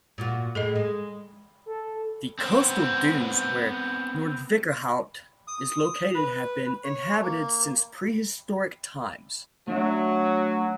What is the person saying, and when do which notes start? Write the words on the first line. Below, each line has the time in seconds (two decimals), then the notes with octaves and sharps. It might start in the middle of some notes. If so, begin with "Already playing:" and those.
The coastal dunes where Noordwijkerhout is located have been inhabited since prehistoric times.
0.18 A#2 F4 F#4
0.55 A2 G#4 A4 D#5
0.75 G#3
1.66 A4
2.39 B3 C4
5.48 D#6
6.14 B4
6.84 C#5
7.21 A#3
9.68 F#3 A3 D4 E5